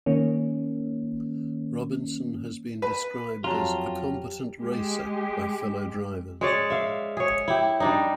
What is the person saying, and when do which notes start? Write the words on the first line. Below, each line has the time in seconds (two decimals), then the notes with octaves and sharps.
Robinson has been described as "a competent racer" by fellow drivers.
0.06 D#3 A#3 C#4
2.82 B4
3.44 F2 F#3 F4 G4 A5 A#5
4.60 G#3 G4
6.41 G#3 C#5 D5
6.70 E5 F5
7.17 G#4 C#5
7.48 E4 G4
7.80 G3 D4 D#4